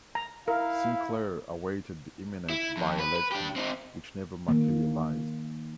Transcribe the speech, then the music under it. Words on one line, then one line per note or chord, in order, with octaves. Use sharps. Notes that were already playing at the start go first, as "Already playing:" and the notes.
Sinclair awaited the imminent by-election, which never materialised.
A#5
E4 A#4 F5
E4
F2
B4
B4
D4 G4
C4 D#4
D#3 A#3